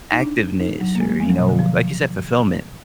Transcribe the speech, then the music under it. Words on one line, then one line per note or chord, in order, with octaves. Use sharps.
activeness or, you know, like you said, fulfillment,
D#4
D4
D#4
F#3
A#3
G#3
A#3
G#3
F3
F#3
B2
D3
F3